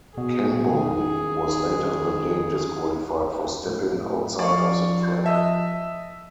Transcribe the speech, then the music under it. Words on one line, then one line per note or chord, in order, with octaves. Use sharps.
Kemboi was later that day disqualified for stepping outside of the track.
B2 G#4
D#3
A2
F3 D5 F5 C#6
D#5 E5 A5